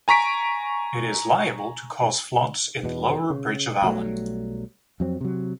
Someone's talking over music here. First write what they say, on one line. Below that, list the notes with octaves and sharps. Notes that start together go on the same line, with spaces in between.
It is liable to cause floods in lower Bridge of Allan.
G#5 A#5 C#6 B6 D7
E2 B2
C#3
B1 F#3 G3 A3
F2 F#3 C4
C3 F#3